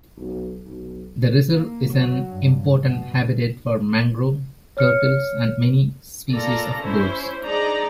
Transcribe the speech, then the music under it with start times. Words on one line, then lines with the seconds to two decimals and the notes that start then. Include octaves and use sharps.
The reserve is an important habitat for mangrove, turtles, and many species of birds.
0.19 B1
0.68 B1
1.51 A#3
1.93 F#3
2.28 G2
2.82 B2
4.77 C#5 F6 C#7
6.31 A#3 F4 A4 D5 A#5
6.79 C#4 E4 C5
7.43 D4 D#4 G#4 D5 D#5 A#5